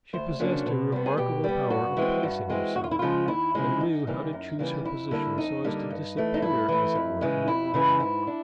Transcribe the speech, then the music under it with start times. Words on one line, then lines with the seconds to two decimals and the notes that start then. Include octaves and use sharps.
She possessed a remarkable power of placing herself, and knew how to choose her position so as to disappear, as it were, in the water.
0.13 D2 C5
0.40 C#3 F#3 A#3 D4
0.66 B2
0.92 G3 B3
1.06 G#4
1.17 B2 G4
1.44 G3 B3
1.70 G2 F#4
1.97 E3 G#3 C4
2.23 G2
2.50 E3 G#3 C4
2.75 D#2 F#4
2.84 F4
2.91 E4
2.99 C#3 F3 G#3 F4
3.28 D#2 E4
3.55 C#3 F3 G#3 E4
3.80 F#2 D#4
4.07 C#3 E3 G3 A#3
4.33 F#2
4.59 C#3 E3 G3 A#3
4.85 F2 E4
5.11 D3 G3 A#3
5.38 F2 D#4
5.64 D3 G3 A#3
5.90 G2
6.17 E3 A3
6.34 D#4
6.42 G2 E4
6.68 E3 A3
6.95 F2
7.21 C#3 E3 G#3
7.47 F2 E4
7.74 C#3 E3 G#3 E4
8.00 G#2 E4
8.27 D4